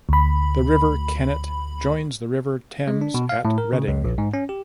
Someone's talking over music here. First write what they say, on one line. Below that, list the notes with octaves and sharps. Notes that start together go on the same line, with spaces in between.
The River Kennet joins the River Thames at Reading.
D2 B5
G#3
D4
B2
F5
A2
A#4
C#3
C#2
A#1
G#2
C#4
G4